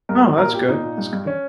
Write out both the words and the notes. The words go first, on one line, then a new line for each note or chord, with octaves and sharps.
Oh, that's good, that's good.
G2 A#4
G3
A#2 A#4
A#2 G4
A#2 D#4
A#2
G2
G2
C#4